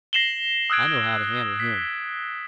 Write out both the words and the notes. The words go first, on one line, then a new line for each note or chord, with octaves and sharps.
I know how to handle him.
A#6 C7 E7 F#7 G7
D#6 E6 F#6 G#6 D7
B6